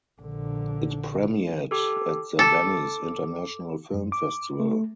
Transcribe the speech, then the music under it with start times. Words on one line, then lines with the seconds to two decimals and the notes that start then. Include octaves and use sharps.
It premiered at the Venice International Film Festival.
0.21 A#1 D3
1.71 G4 A4
2.39 A4 D6
3.94 F#2
4.12 D6
4.60 A3